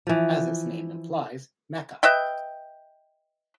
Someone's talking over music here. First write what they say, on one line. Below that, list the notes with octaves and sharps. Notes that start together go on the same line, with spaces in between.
As its name implies, Mecha!
E3 F3
B4 D#5 E5 G5